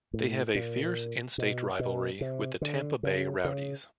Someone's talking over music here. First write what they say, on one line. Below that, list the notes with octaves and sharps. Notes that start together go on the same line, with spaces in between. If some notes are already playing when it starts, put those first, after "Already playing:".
They have a fierce in-state rivalry with the Tampa Bay Rowdies.
A2
A#2
B2
B2
C3
D3
C#3
C#3